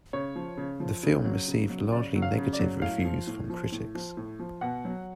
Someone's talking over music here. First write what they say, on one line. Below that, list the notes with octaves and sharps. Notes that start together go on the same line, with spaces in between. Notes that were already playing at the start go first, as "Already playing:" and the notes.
The film received largely negative reviews from critics.
C#3 C#5
F3
C#3
F3
C#3
F#3
C#3
F#3
C#3 D5
F#3
F5
C#3
D5
F#3
A2 F5
F3
A2
F3
A2
F3
A2
F3
B2 F#5
F#3